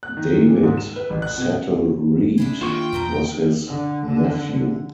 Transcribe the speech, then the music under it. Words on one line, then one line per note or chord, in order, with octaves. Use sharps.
David Settle Reid was his nephew.
F#6
D#3
D#3
A#2
G#2
E7
B4
A1
F#6
B2
D4 E4 G#4
D#3 A#3 C4 F4 F#4 C#6
G5
E2 B2 A#4 A#5
D3
D3